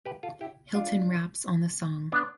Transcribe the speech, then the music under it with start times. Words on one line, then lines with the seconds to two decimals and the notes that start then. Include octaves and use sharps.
Hilton raps on the song.
0.05 G4 B4
0.23 F4 A4
0.41 E4 G4
0.74 D4 F4
2.12 B3 D4